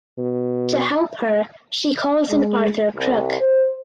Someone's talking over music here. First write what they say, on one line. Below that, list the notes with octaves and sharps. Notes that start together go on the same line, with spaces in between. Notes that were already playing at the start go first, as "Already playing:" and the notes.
To help her she calls in Arthur Crook.
B2
G#3
C2
C5